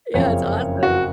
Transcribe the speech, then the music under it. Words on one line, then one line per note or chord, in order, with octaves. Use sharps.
Yeah, it's awesome.
F#1 F2 C#3 F3 C#5
F#4